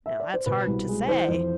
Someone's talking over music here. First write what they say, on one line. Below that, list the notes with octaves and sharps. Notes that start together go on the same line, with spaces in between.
Now that's hard to say.
E5
D5
C5
B2 B4
C2
G#3
E3 C5
F2